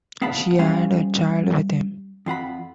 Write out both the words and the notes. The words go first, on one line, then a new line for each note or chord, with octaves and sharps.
She had a child with him.
B3 F5 F#5 A5 B5
G3 C#4 C5 F5 G#5
F2 F4 F#5 B5